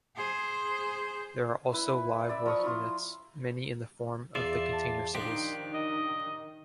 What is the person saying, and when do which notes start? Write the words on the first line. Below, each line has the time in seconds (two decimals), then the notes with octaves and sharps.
There are also live-work units, many in the form of the Container Cities.
0.16 G#4 C5
1.72 E4 B4 E5 B5
2.29 D5 E5 E6
2.46 F3 A#5 C#6 D#6
2.63 E4 F4 C6
4.35 E2 F4 D5 E5
4.72 A5
5.15 D#3 F3 D4 D#4 G4 C5
5.74 D#5